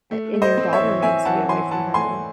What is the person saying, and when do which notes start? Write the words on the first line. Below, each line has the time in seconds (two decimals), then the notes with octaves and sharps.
a and your daughter needs to be away from her.
0.11 A3
0.34 A3
0.42 C5 D#5
0.57 C4
0.73 C#5 E5
0.80 E3
1.02 C4 E5 G#5
1.25 E3 F#5 A5
1.49 E3 G#5 C6
1.71 E3 F#5 A5
1.94 A3 G#5 C6